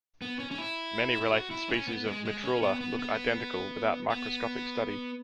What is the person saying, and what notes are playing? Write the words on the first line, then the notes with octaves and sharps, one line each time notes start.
Many related species of "Mitrula" look identical without microscopic study.
B3
C#4
C#4
E4
E4
F#4
E4
C#4
B3
G#3
G#3
C#4
B3
B3
B3
B3